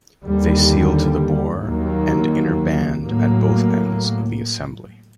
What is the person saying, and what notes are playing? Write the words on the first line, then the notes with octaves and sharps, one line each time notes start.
They seal to the bore and inner band at both ends of the assembly.
D#2 D3 G3
D#2 D#3 F#3 A#3
A2 F#3 A#3